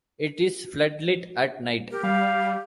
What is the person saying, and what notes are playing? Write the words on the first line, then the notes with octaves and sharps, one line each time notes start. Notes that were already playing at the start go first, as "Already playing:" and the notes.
It is floodlit at night.
G4 A#4
G3 F5